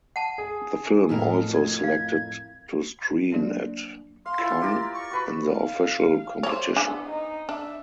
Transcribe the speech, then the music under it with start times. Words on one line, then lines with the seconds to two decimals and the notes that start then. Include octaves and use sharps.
The film also selected to screen at Cannes in the official competition.
0.16 F#5 A5
0.38 G#4
1.09 F2 A2 A#4
1.54 G#6
1.84 F5
3.31 F#3 A#3 D4 D5
4.26 F5 C6
4.38 E4 F4 F5
4.62 G4 A#4 D5
4.94 C#6
5.11 F#4 B4 B5
5.51 F5
6.43 G3 E4 C5 C#5
6.77 B3 D4 E4 G#4
7.09 D#4
7.49 D4 E5